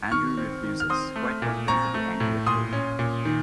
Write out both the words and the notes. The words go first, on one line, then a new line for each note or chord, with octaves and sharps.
Andrew refuses, quite content to be angry at Dave.
D#3 C#6 F6
C4
D#3
F6
C4 C6 D#6
A3
A#2
C4 A#5 C#6
A3
A2
A#2 C6 D#6
C#4
A#2
D#3